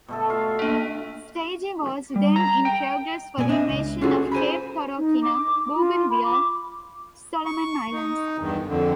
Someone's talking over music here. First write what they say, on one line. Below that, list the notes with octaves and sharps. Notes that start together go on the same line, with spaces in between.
Staging was then in progress for the invasion of Cape Torokina, Bougainville, Solomon Islands.
B2 A3 A4
F4 E5 F5
A#3 D4
G3
A#5
G5
A#2 B3 D5 G#5
D4 D#5 E5
C#2
C#4 F4 F#4 G#4 A4
C5 G#5 A#5 B5
D#4
D6
F4
B5
D6
C#6
D#4
E2 G2 D#3
F2 D3